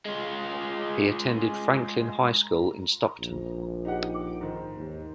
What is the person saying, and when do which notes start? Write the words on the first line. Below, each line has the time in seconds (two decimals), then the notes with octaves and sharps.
He attended Franklin High School in Stockton.
0.06 G#3 F4
3.19 A#1
3.85 D#4 G4 F#5
4.41 G#2 D#3
4.77 D#2